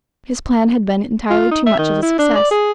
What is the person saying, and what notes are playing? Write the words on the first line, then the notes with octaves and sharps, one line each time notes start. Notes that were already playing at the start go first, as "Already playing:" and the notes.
His plan had been entirely too much of a success.
F4
D#4
E5
D#3
E4
D4
D5
G#4